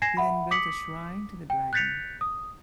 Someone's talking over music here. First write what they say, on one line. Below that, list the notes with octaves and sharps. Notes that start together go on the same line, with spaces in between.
He then built a shrine to the dragon.
G#5 G#6 A#6 C7 E7
E5 F#5 B5
D6 D#6 B6 C#7 F#7
G5
F#6 G6 A6 B6 C#7 F7
D#6